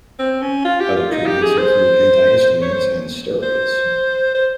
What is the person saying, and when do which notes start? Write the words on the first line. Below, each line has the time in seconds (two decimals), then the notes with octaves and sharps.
Other treatments include antihistamines and steroids.
0.19 C4
0.42 C#4
0.65 F4
0.80 G4
0.96 F4
1.11 D#4
1.26 G4
1.42 G#4
1.58 C5
2.62 C#5
2.73 C5
3.43 C5
4.34 C5